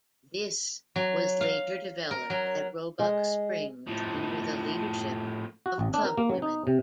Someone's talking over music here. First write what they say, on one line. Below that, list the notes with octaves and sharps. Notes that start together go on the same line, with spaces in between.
This was later developed at Roebuck Springs under the leadership of club women.
F#3
F5
A#4
F#3
G#3
A2 F3
F#4
A1
D4
A#4
A#3
F#3
D#4
C3